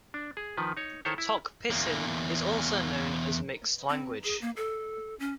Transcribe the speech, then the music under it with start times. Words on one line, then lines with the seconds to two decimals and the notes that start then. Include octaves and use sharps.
Tok Pisin is also known as a "mixed" language.
0.14 D4
0.37 G#4
0.57 D#3 F3 B4
0.77 D#4 C#5
1.05 D#3 E4 A4 C5 C#5
1.18 E4
1.71 E2 A#3
3.89 C4
4.24 G#4
4.42 A#3
4.56 A4
5.19 C#4